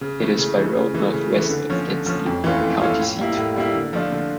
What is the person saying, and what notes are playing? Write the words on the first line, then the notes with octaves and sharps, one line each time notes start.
It is by road northwest of Gadsden, the county seat.
C#3
E3 A3
C#3
E3 A3
C#3
E3 A3
C#3
E3 A3
D3
F3 C#4
D3
F3 C#4
F2
E3 A3 C#4 F4
F2
E3 A3 C#4 F4
A2
G3 A#3 E4
A2
G3 A#3 E4
D3
F3 A3 D4 F4
D3